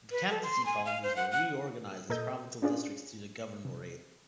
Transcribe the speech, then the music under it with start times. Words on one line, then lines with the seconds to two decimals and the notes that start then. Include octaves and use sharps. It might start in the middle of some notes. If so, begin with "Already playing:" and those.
The captaincy colonies were reorganized as provincial districts to the Governorate.
0.11 B4
0.30 A4
0.43 C6
0.66 G#5
0.85 F5
1.03 C5
1.16 F#5
1.31 F#5
2.10 A#2 A4 A#4 D#5 G6
2.62 C#4 D4 F4 G#4 D5
3.65 C3